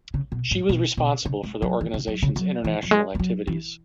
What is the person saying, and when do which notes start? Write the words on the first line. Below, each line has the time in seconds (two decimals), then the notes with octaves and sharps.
She was responsible for the organisation's international activities.
0.14 C#3
0.32 B2
0.51 G#2
0.69 B2
0.97 B2
1.25 C#3
1.43 G#3
1.62 F#3
1.81 E3
1.94 C#3
2.08 F#3
2.22 C#3
2.36 F#3
2.64 E3
2.83 F#3
2.91 G#3
3.15 G#3
3.20 F#3
3.47 E3